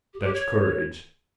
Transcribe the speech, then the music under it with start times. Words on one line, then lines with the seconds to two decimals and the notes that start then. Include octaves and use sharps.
Dutch courage.
0.13 G4
0.19 G#4
0.23 G4
0.33 C#5